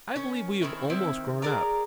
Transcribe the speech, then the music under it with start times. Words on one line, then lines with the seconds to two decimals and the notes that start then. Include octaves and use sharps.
I believe we have almost grown up.
0.16 D#3 C#4
0.62 D#3 C4 C#4 E4
0.90 D#3 C4 E4 E5
1.42 G#4 A#4 D5 A#5